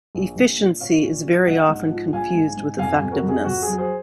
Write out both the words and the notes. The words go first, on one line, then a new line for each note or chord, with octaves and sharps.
Efficiency is very often confused with effectiveness.
A#1
A#1
A#2
A#2 C#5 F5
A#2
F3
A#1 D#5 F#5
G#2
F3
A#1 F5 G#5
G#2
G#2
F2 F5 G#5
F5 G#5
F2
F#4 A#4
F2
G#4
F2 F#4
F#3 G#4
G#4 C5